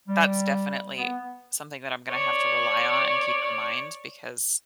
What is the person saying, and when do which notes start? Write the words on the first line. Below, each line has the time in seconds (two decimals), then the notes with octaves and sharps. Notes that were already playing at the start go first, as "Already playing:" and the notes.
that's definitely something that I'm gonna have to rely on and keep in mind because
0.08 G3
0.98 B3
2.10 C#5 D5